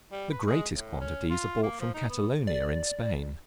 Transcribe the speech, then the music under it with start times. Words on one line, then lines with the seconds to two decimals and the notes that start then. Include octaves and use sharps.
The greatest quantities are brought from Catalonia, in Spain.
0.12 G3
0.31 B4
0.47 G#3
0.73 A2
1.01 C#4
1.30 F4
1.63 A#3
1.80 F3
1.94 D#4
2.09 B3
2.47 D5